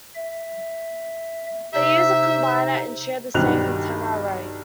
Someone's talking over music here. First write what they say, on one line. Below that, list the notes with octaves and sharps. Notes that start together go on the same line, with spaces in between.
They use a combiner and share the same antenna array.
E5
C3 D#4 C5 E5
B1 G2 D#3 G3 F#6 F7